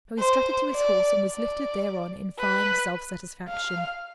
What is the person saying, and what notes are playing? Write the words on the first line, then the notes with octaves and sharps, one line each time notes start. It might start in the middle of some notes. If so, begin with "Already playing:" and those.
So he strutted to his horse, and was lifted thereon in fine self-satisfaction.
C5
D5
D5
B4
F5